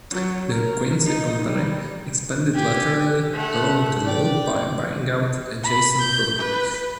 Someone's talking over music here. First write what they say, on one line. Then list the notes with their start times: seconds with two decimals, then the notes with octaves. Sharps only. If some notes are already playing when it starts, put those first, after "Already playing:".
The Quincy company expanded laterally along the lode by buying out adjacent properties.
0.11 F#3
0.51 A#4
1.06 D#4
1.45 G3
2.54 G4 G#5
3.33 A3 F#5
4.04 D5 G5
5.64 B5
6.02 G6
6.39 B4